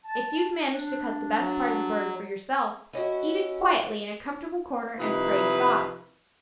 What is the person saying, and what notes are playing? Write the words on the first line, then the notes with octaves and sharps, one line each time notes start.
If you've managed to cut the best part of the bird for yourself, eat it quietly in a comfortable corner and praise God.
A5
D4
F#3
C#4 E4 F#4 D#5
C3 D#3 F3 D#4 E4 B4